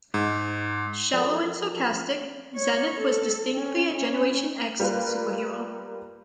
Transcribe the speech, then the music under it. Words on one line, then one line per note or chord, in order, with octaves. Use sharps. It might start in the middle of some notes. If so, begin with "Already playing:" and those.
Shallow and sarcastic, Zenith was a distinctly Generation X superhero.
G#2
F3 A4 A#4 D5
C#5
A4
C#4
C#4
G3 A#3 F4 A#4 B4